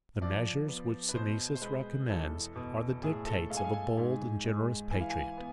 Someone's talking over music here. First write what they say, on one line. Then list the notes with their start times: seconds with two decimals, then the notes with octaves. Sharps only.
The measures which Synesius recommends, are the dictates of a bold and generous patriot.
0.21 F3 D5
0.68 B3
1.09 B4
1.15 B2 C5
1.55 C5
1.62 G#3 B4
2.09 E2 A4
2.55 B2
3.03 A2 G#4
3.26 A4
3.50 G#3 F5
3.57 G#5
3.64 F5
3.73 G#5
3.97 G#2
4.44 G#3
4.91 E3 G#5
5.01 F5
5.10 G#5
5.37 B3